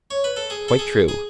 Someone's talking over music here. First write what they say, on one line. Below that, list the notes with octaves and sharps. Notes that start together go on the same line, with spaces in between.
Quite true.
C#5
B4
A4
G#4
A4
G#4
G#4